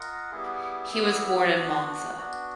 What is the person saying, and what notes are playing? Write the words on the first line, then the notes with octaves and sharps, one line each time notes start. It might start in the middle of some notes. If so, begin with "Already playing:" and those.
He was born in Monza.
Already playing: F4 A#4 D#5 F#5
G3 B3 E4 G#4
G3 B3 E4 G#4
B3 D4 F#4
B3 D4 F#4